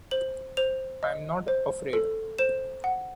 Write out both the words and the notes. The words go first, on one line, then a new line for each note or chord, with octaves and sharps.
I’m not afraid.
C5 F#7
C5 F7
D#5
C5
A4
C5 E7
F#5